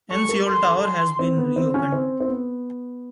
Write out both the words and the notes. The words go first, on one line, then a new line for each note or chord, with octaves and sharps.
N Seoul Tower has been re-opened.
A4 C#6
A#4
A4 C6
A4
A4
G#4 C6
C4
B3
C4
C#4
C4
C4
B3